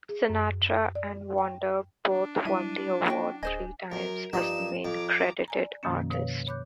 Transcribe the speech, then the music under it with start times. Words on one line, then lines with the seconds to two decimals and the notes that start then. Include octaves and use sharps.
Sinatra and Wonder both won the award three times as the main credited artist.
0.09 G#4
0.29 F#2
0.95 D5
1.38 G5
2.10 D4
2.45 F#3 G3 E4 D#7
3.06 A#3 C#4 F#4 G5
3.43 D1 G#4 C5 D#5 G#5
3.92 F#2 A#4
4.33 G2 F3 D#4 E7
4.85 F2 A#5 D6
5.48 D5 G#5 A#5
5.83 F#2 B2 D#3 F3 A#3 C#4
6.10 B2 B4 C#5 F5
6.47 C#5 B5 D6 F#6 G6